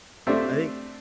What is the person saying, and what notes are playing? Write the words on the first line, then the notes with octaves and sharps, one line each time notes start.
I think,
A3 C4 D4 G4 E5